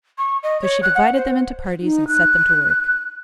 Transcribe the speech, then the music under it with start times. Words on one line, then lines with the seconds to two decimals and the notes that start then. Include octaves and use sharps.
So she divided them into parties and set them to work.
0.18 C#6
0.43 D#5
0.62 C#5
0.83 F#6
0.95 F#5
1.15 C5
1.82 D#4
2.08 F#6